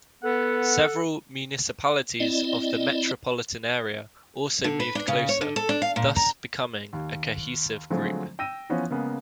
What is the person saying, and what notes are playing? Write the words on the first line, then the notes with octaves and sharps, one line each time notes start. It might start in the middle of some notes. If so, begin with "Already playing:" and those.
Several municipalities of the metropolitan area also moved closer, thus becoming a cohesive group.
B3 A4 F#5
C4 E4 D5 D#5
D3
B4
D4
C#3
C#5
D3
A4
D4
F5
A#2
A#5
D#2
D3 F3 F#3 G#3 A3 C4
G5 E6 A#6 D#7
E3 F3 B3 C#4
C#3 G#3 A#3 B3